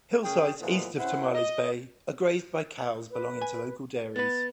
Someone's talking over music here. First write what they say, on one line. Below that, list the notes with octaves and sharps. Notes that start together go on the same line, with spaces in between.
Hillsides east of Tomales Bay are grazed by cows belonging to local dairies.
F#2 C#3 G#4 G5
A#2 E3 F3 G#3 A3 B3
C#4 E4 C5 F#5
D#5
B4
G#5
B3 B4 A6